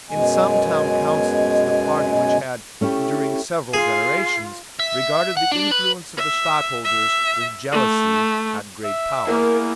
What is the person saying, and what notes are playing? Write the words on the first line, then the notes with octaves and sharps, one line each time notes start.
In some town councils the party which had, during several generations, regarded the influence of the Stadtholders with jealousy had great power.
F#2 B2 G#3 G#5
A3 C#4 E4 G4
F4 G#4 C7
E5
F#5
D4
B4
E5
E5
A3
E5
A#3 E4 G#4 A#4